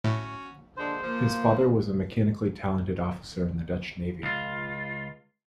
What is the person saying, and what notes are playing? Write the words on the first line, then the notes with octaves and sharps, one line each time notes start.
His father was a mechanically talented officer in the Dutch Navy.
A2 C#4 F#4
A#2 D3 G#3 D4 C5
F3 A#3
C#2 F4